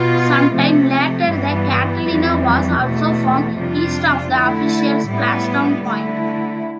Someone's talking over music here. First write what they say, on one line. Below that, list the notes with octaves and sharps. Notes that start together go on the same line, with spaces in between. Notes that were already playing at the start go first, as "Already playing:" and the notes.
Some time later the Catalina was also found, east of the official splashdown point.
Already playing: B2 B3 F4
C3 F3 A3
G2 E3 G3 B3
F2 E3 G3
E2 B2 A3
F2 C3 G3 D4 F4
D3 A3 E4
A2 G3 B3 E4
D3 A3 E4